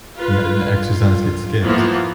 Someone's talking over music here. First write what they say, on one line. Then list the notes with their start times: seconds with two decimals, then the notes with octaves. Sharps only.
Yeah, the exercise gets skipped.
0.15 F4 B4
0.73 F4
1.64 E3 F3 A#3 B3 E4 F4